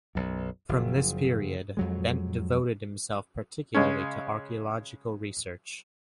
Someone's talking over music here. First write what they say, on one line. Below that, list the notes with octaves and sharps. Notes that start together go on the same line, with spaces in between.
From this period Bent devoted himself particularly to archaeological research.
B1 F#2
F#1 F3
F2 F#3 G#3
C#3 G#3 C#4